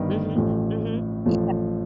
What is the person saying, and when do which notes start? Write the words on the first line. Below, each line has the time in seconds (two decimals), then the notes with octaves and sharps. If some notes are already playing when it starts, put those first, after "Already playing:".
Mhm, mhm. Yeah.
Already playing: G1 G2 D#3 G3 B3
0.35 A1 A2 F3
1.26 A1 A2 F3